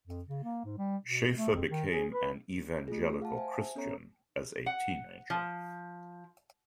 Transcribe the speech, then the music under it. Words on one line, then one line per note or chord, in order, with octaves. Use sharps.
Schaeffer became an evangelical Christian as a teenager.
F2
C#3
A#3
G#2
G3
B2
A3
F2
D#3
G#4
B4
A3 F4 G#4
F5 F#5 A5
C5 E5 G#5
E5
B3 C#4 A4 C#5 A#5
F#5
F3